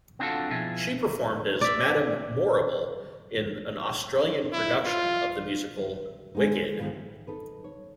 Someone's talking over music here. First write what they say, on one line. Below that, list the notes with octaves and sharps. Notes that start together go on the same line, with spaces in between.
She performed as Madame Morrible in an Australian production of the musical "Wicked".
B3 C4 D4 F4 F#4 A4
B2 F3 E4 G#4
D5 E5
E4
F4
D#2 G#3 B3 D#4
G#2 D#3 F3 B3 F4
E5
D#4 A4 B4
C#5